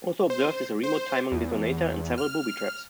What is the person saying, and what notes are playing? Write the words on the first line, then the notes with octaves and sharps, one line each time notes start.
Also observed is a remote timing detonator, and several booby traps.
C5
C5
E2
F6